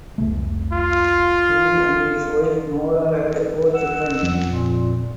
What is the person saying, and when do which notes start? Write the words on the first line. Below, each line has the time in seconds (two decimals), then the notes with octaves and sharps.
He and his wife Nora had four children.
0.18 F1 C2 A3
0.73 F4
3.74 F#5 E6
4.23 F2
4.46 A#2